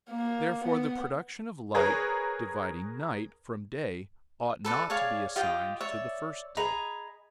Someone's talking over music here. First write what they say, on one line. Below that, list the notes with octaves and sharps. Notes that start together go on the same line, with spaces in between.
Therefore the production of light, dividing night from day, ought not to be assigned to the first day.
A#3
B3
G#4 A#4 B4 C#5
A4 B4 D5
G#4 C#5 D5 F5
F4 G4 D#5 G5
C#5 D5 E5
G#4 D#5 A#5 B5